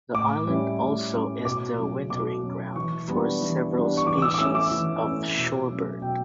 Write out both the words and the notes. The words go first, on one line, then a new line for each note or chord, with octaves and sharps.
The island also is the wintering ground for several species of shorebird.
A2 D6
G3 C#4 E4
A2
G3 C#4 E4
B2 D6
F#3 C#4
B2 D6
F#3 C#4
E3 C#6
G3 B3 D4
E3
G3 B3 D4
C#6
E3 D6
D6
E6
D6
A3 C#4 E4 E6
D6
E3
A3 C#4 E4
B2
F#3 A3 C#4 E4
B2 G5